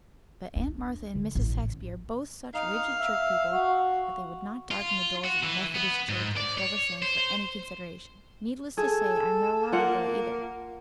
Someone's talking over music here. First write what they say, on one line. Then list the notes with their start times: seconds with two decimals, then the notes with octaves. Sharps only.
But Aunt Martha and Mrs. Saxby are both such rigid church people that they would not darken the doors of the Methodist church at Plover Sands for any consideration. Needless to say, I am not allowed to go either.
0.56 D4
1.15 D3
1.35 A1
2.54 D#4 F5
3.00 E5
3.52 F#4
4.71 F4
5.24 F#4
5.43 E3
5.75 B3
6.09 G#2
6.37 D5
6.58 C#5
7.02 C5
8.77 G#4 A4
9.72 A#3 F4 F#5